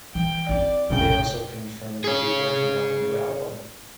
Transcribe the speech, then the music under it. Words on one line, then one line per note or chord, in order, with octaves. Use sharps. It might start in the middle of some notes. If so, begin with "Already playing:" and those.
They also confirmed to be working on a new album.
E3 G5
C4 E4 D5
F1 B1 C#3 B3 G5
G#4 C#5